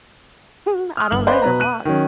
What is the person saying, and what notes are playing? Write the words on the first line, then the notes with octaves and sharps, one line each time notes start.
Hmm, I don't know, they're blocked.
D#6 F6
G1 F#7
B4 C5 D5 D#5 F5 B5
B2 B4 A#5
F#6 D#7
D#3 F#3 C#4